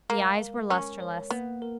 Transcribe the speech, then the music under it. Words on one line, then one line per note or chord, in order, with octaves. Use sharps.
The eyes were lustreless.
G#3 A#3
A#4
C#4 A#4
C#5
A#3 B3
A#4